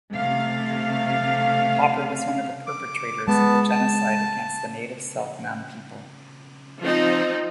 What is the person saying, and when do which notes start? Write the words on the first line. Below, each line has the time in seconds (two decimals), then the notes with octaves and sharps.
Popper was one of the perpetrators of the genocide against the native Selk'nam people.
0.13 C3 A3 F5
2.67 D6
3.28 G#3 B3 A5
3.70 A5
6.80 F3 C4 D#4